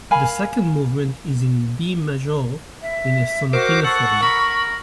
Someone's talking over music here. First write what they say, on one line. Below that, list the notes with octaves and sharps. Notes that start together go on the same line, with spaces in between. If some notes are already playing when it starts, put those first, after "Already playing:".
The second movement is in B major in a sonatina form.
A#4 F5 G#5 B5
E5
F#4 A#4 C5 D6
A4 F#5 C#6
A#4 B5